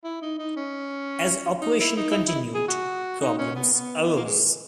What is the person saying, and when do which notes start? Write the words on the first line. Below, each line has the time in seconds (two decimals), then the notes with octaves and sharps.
As operation continued, problems arose.
0.04 E4
0.22 D#4
0.39 D#4
0.57 C#4
1.62 D#4
1.80 E4
1.97 D#4
2.11 E4
2.14 D#4
2.28 E4
2.54 G#4
2.68 F#4
3.21 D#4
3.38 C#4
3.55 B3
3.73 B3
4.16 A#3
4.25 G#3